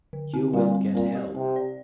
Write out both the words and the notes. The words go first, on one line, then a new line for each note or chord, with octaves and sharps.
You will get help.
D3
C4
A#2 G3
C4
A#2 C4
G4
C3 C4
D5